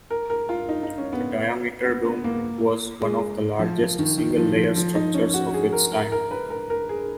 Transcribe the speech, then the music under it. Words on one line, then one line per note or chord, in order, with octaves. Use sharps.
The diameter dome was one of the largest single-layer structures of its time.
A#4
A#4
F4
D#4
D#4
C#4
B3
B3
B3
A#3
G#3
F3
F3
D#3
D#3
F3
F3
F3
D#4
C#4
F#4
G#4
A#4
A#4
A#4
B4
A#4
A#4
G#4